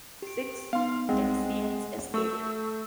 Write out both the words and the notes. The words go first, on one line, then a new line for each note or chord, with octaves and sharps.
Six Texians escaped.
G4 D7
B3 D#4 F5 C6
C2 G#3 C4 F#5
A3 C#6 E6